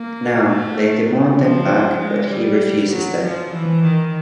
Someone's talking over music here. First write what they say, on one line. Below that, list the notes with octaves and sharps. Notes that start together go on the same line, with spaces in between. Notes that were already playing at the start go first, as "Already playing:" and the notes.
Now, they demand them back, but he refuses them.
Already playing: A#3
A3
F3
G#3
G3
F#3
F3
E3
D#3